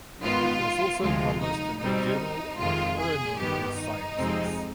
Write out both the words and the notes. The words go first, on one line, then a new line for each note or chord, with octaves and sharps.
It was also published in the Journal of Aeronautical Sciences.
G#2 D#3 B3 F4
D2 C3 F3 G#3 F4
D#4
B2 G3 C4 D#4
F2 C3 D#3 G#3 F4
G#4
G2 D#3 B3 G4
D#4
F2 C3 F3 G#3 C4